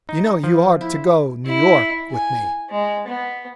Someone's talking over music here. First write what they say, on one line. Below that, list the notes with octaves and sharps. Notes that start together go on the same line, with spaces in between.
"You know you are to go New York with me?"
D#4
F3
E4
E4
G#5
G#3
B3